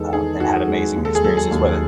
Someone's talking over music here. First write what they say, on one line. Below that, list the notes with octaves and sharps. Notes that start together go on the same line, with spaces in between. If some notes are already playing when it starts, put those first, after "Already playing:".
um, and had amazing experiences with it.
Already playing: E2 G#3 D#4 A4
D#3 G#4
D#4 F#4
G#3
D#2
A4
G#4
F#3 A4
G#4
D#2